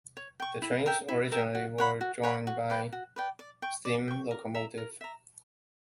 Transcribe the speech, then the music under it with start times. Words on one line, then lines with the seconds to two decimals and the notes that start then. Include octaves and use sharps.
The trains originally were drawn by steam locomotives.
0.17 C#5
0.40 G5 C#6
0.62 E4
0.86 A#4 E5 G5
1.08 E4
1.32 A#4 E5 G5
1.55 F#4
1.78 C#5 F#5 B5
2.01 F#4
2.23 C#5 F#5 B5
2.47 F#4
2.70 B4 D5 G5
2.92 F#4
3.16 B4 D5 G5
3.39 D5
3.62 G5 C#6
3.85 D5
4.08 G5 C#6
4.31 A#4
4.55 E5 A#5
4.78 A#4
5.01 E5 A#5